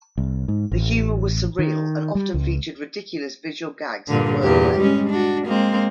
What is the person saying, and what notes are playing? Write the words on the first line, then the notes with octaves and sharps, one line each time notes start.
The humour was surreal and often featured ridiculous visual gags and wordplay.
C2
G#2
A1
D#3
G3
C#2
G2 A#2 D3
E2 A#2 G4
G3 G#3 C#4
D4 F#4
G#3 A#3 C4